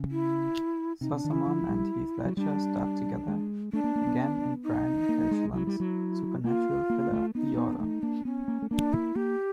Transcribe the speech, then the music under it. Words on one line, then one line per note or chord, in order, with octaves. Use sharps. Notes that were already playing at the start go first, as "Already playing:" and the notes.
Sossamon and Heath Ledger starred together again in Brian Helgeland's supernatural thriller "The Order".
Already playing: C#3
E4
C3 D#4
C3 D4
D#3
E3 E4
F3
G3
F#3
G3 D4
G#3
A3 D4
A#3
A#3
B3
D#4
A#3
G#3
F#3 E4
G3
F#3
A#3 F4
A#3
A3
B3 D#4
B3
D4
A3 D#4
A#3 D4
B3 C#4
A#3
A3
A#3 D4
E4
A#3 G4